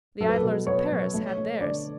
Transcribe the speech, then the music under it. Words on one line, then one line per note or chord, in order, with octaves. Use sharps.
The idlers of Paris had theirs.
F#3 A4
B4
A4
B2
B3 C#5
F#3
A3
A3
D3 D5